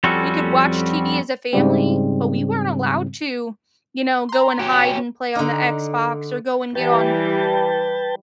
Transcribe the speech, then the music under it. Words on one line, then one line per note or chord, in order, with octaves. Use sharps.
we could watch TV as a family, but we weren't allowed to, you know, go and hide and play on the Xbox, or go and get on
F2 G3 C4 C#4 F#4 A4
G#2 C#3 G3 C4
A#5 C6
C#4 F#4 G4 G5
D3 D#4
E3 G3 B4 G5 A5